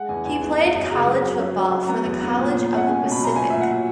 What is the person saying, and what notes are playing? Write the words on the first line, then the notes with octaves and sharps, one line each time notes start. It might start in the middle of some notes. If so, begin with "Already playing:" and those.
He played college football for the College of the Pacific.
Already playing: G#3 F#5
E2 G#5
E2 G#5
B3
F#2
F#2
C#3 A#5
F#3
C#4
F#3
F#3
F#3
B3 A#5
E2
B3
A#2
A#2
C#4
F#5
C#4 G#5
B2
B5
F#3 A#5
A#2 G#5
A#2 E5
F#5
F#3